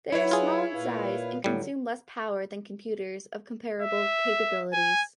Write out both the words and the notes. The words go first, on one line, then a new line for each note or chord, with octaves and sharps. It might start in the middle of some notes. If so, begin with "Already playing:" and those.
They are small in size and consume less power than computers of comparable capabilities.
F#3 E4 B4 C#5
F4 G#4
A#2 B4 F5
A2 D3 F#3 G3
E5
G#5